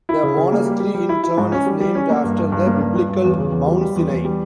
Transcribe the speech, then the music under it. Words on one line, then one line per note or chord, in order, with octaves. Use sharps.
The monastery in turn is named after the Biblical Mount Sinai.
E4
C#3
C#3
A#3
G3
G3
G3
E4
E4
G#2
C#4
G3
G3
C#4
A#3
G2
G2
G2
A#3
G2
G2
G2
E2
C#3
E2
G3
G3
E2
E2
G3